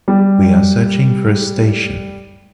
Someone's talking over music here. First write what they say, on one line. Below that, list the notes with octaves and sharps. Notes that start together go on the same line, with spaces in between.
We are searching for a station.
G3 G4